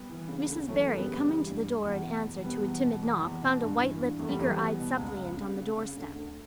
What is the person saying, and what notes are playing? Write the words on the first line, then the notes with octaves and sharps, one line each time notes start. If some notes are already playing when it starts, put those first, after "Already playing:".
Mrs. Barry, coming to the door in answer to a timid knock, found a white-lipped eager-eyed suppliant on the doorstep.
Already playing: G3 B3
E3
C#3
D2
E3 F#3 A3
F#2
G3 B3
C#3
E3 G3
G2
G2
E2
B2
E2
B2 G3 B3
E2
B2
E2
E2
B2
G2
E3
G2
E2 A3
G3
E2 F#3 A3
G3 B3
E3
B2
C#2
C#2
C#3
C#3
C#3
D2
D2